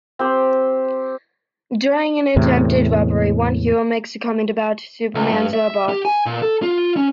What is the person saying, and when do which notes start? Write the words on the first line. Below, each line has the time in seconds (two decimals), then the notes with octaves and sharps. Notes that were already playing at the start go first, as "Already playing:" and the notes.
During an attempted robbery, one hero makes a comment about "Superman's robots".
0.19 C4 G4 C5
2.36 E2 A2 C3
5.15 C#2
5.32 G2
5.54 E5
5.89 G4
6.05 G#5
6.26 A#2
6.42 A4
6.63 F4
6.97 C#4